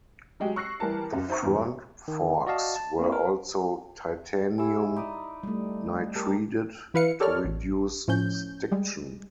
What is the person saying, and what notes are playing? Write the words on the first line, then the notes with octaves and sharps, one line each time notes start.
The front forks were also titanium nitrided to reduce stiction.
F#3 G#3 G4
C#6 E6 F#6 A#6 C7 C#7
E3 G3 A#4 A5
F#2
D#4 C5 E5 A#5 C#6
E2 G2
D#3
F#4 D5 D#5 F5 A5
A5
A#3 C4 E4
A#4
E4 G4 G#5 E6
D#4 D5 D#5 B5
G3 A3
G4 A#4 A5 A#5
E3 E4 B4 F5 C#7
G4 A4 A#4 C#5 D5 F6
A1
A2 F3 C#4 G6
G3 G#3